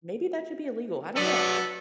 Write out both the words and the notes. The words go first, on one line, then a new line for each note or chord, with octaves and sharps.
maybe that should be illegal, I don't know,
F#3 B3 A4 B4 D5